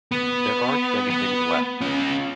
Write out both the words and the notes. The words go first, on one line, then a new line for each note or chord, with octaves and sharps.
There aren't many things left.
B3
B3
C#4 F4